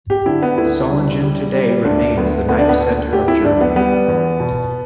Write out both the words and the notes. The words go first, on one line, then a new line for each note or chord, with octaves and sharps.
Solingen today remains the knife-centre of Germany.
G4
D3 E4
B3
D2 E4
G3
G3
G3
D2 D4
D2 B3
D2 B3
D4
B3
D2 A4
D2 G4
E4
D2 D4
B3
G3 B3
E2
B2